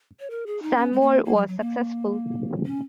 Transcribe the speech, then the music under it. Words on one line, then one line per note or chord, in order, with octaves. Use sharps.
Seymour was successful.
C#5
A#4
G#4
D#4
C#4
G#3
A#3
A#3
F#3
F#3
A#3
C#4